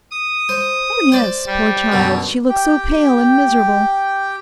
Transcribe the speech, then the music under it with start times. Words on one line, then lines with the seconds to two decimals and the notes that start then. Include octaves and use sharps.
'Oh yes; poor child, she looks so pale and miserable.
0.11 D#6
0.49 C5
1.12 C5 D5
1.47 G3
1.92 F#2 B2 D3
2.49 G4 G5